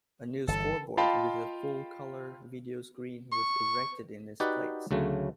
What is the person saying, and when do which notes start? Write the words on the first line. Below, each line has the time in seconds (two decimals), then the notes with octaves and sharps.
A new scoreboard with a full-color video screen was erected in its place.
0.48 G1 E3 A4
0.97 F4 D#5 F5 G5 A5 B5
3.32 C#6
4.40 D#4 F#4 G4 B4 D5 F#5
4.91 D2 C#3 F#3 A3